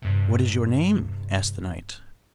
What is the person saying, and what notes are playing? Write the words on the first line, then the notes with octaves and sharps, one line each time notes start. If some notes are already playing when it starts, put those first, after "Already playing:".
"What is your name?" asked the knight.
G2 C3